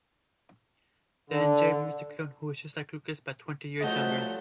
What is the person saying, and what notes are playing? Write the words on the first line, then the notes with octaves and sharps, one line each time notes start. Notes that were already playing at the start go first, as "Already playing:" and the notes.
Then Jade meets the clone, who is just like Lucas, but twenty years younger.
D3
C2 F3 F#3 A3 F#4 D#5 G6